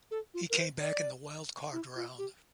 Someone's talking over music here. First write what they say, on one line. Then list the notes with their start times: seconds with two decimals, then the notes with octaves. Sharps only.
He came back in the wildcard round.
0.11 A4
0.34 F4
0.50 A#4
0.58 C5
0.81 D5
1.73 E4
1.96 F4
2.18 G4